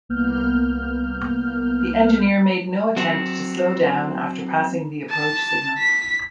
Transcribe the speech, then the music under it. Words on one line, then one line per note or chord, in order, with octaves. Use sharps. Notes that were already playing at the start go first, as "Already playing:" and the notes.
The engineer made no attempt to slow down after passing the approach signal.
C2 A#3 B3 F6 G6
F#3 C4
A5
B6